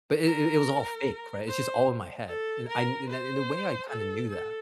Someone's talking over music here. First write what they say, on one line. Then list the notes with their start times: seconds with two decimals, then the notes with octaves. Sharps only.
But it it it was all fake. Right? It's just all in my head. And I and and in a way, I kinda knew that.
0.26 A#4
1.47 C5
2.28 A4
2.68 A#4
3.09 C5
3.89 A4
4.29 A4